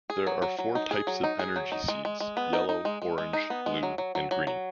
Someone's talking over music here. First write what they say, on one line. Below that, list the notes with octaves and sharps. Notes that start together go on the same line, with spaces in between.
There are four types of Energy Seeds: Yellow, Orange, Blue and Green.
G#4
F#3
F#3
F#3
D#4
G#4
F#3
D#4
G#4
F#3
D#4
G#3
G#3
G#3
B3
D#4
D#4
G#3
G#3
G#3
D#4
B3
G#3
F#3
F#3
F#3
F#3
F#3